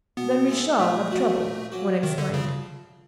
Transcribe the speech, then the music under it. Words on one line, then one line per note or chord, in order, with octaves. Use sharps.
"Then we shall have trouble," one exclaimed.
B2 B3
G#3 C4 E4 A4
A#2 A3
F#3 A#3 C#4 F#4
A#2
F#3 A#3 C#4 F#4
C3 D#3
D3
C#3 F3